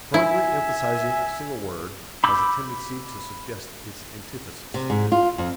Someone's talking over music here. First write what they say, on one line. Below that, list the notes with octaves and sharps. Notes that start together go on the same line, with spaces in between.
Strongly emphasizing a single word has a tendency to suggest its antithesis.
E4 E5 G#5
B5 D6 E6 G6
C3
G#2
F4
F2